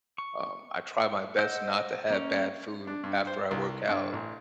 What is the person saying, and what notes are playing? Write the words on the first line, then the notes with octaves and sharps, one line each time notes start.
um, I try my best not to have bad food after I work out.
C#6
C5 D#5 F#5 E6 G6
A#3 C#4
D4
G2
C5
C2
G2
A1